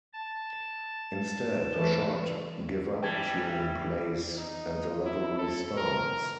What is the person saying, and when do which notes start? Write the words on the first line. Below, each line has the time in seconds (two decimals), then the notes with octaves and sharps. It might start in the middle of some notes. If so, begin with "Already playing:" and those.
Instead, a short "give up" tune plays and the level restarts.
0.13 A5
1.74 E3 A3
3.03 E3 G3 G5 A5 G#6
4.37 D#4
5.05 E4
5.38 A4
5.77 A#4